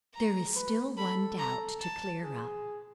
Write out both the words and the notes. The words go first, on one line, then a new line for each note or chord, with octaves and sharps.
There is still one doubt to clear up.
A#5
B4
A4 B5
A#5
A5
G#4